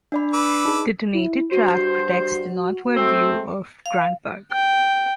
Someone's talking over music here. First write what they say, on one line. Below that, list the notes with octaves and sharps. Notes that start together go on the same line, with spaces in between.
The donated tract protects the northward view of Grant Park.
D4 D5 B5
B4 D6 E6
D#4 G#4
E4
G2 F#4 C5
A3 C4
F5
G5